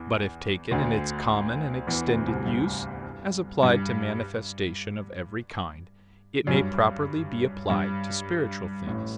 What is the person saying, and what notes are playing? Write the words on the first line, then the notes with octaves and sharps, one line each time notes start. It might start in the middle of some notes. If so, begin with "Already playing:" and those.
But if taken in its common and extended use, as applied to manifestation of every kind, it may properly be applied to spiritual things.
Already playing: E2 E3
D2 D3
E2 E3
D2 D3
C2 C3
G2
G2
F#2
G2
G2
A1 A2